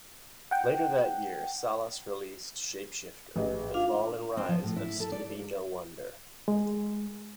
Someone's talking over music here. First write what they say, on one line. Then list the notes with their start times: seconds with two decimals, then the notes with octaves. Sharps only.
Later that year Salas released "Shapeshifter: The Fall and Rise of Stevie No-Wonder".
0.51 F#5 G5
3.36 A1 G#4 D#5
3.74 D4 F4 F5
4.37 C4
4.49 F3
4.63 A2
4.77 E4
5.00 A4
5.12 D5
6.48 G#3